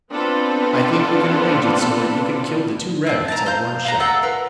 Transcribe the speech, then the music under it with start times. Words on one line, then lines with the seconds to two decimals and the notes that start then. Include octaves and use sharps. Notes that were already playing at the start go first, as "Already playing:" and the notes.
I think we can arrange it so that you can kill the two rabbits at one shot.
0.11 B3 C4 D4 F4 A4 B4
3.07 C4 D4
3.28 A5 A#5
3.46 C5 F5 G6
3.85 F5 F#5 A#5
4.00 C4 A4 E5 F#5
4.23 F4 A#4 B4